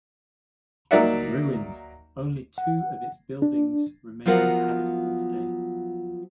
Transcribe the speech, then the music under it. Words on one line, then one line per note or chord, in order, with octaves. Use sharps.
Ruined, only two of its buildings remain habitable today.
F#3 A#3 D#4 D5 E5 F#5
F#5
D4
F3 F#3 B3 F4 A#4 F#5